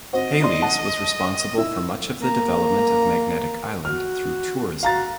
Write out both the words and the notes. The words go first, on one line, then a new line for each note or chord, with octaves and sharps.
Hayles was responsible for much of the development of Magnetic Island through tourism.
C4 F#4 C5 D#5
D#4 D5 C6
F#5 A5
E4 E6
A#3 A#5
F#4 F6
F#4 F5 A#5 A6